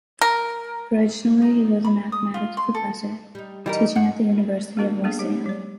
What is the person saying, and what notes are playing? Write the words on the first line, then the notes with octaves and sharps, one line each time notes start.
Originally he was a mathematics professor, teaching at the University of Lausanne.
A#4
D#4
B5
D#6
F4
C6
A4
G3 D#4
E3 G3 D#4 A#4 D5 D#5
G2 F#5
A#3 B3 D4 F#4 A#4
A#3 B3 D4 G#4 A4
F#3 G#3 G4
F#3 D5